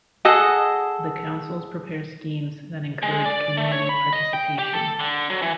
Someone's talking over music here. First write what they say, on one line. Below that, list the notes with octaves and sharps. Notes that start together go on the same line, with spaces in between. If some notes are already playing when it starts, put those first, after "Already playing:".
The councils prepare schemes that encourage community participation.
G#4 A4 D#5 F#5
G#3
D5
A3
C#5
B5
D#5
G5
G4
A4
D3
F#3
E3